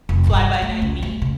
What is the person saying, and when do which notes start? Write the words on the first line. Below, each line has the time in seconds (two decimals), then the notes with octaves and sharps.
fly-by-night meme,
0.09 F1
0.27 G2
0.62 A3
0.82 C#2
1.02 D2
1.22 C#3